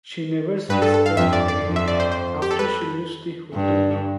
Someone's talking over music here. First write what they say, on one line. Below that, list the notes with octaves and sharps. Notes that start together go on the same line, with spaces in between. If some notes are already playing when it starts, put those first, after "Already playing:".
She never sees Peck again after she leaves the hotel room.
G2 B4
A4
A4
F5
F2 E5
D5
D5
F2
E5
D5
C5
C5
G4
A4
B4
G2